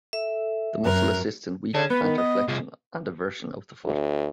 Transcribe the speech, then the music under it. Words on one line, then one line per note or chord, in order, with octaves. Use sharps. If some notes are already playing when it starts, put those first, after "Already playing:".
The muscle assists in weak plantarflexion and eversion of the foot.
A4 E5
F#2 A#4 F#6
D3 G#4 C#5
B3 B4
D#3
D#5
C3 F4 G#4
D2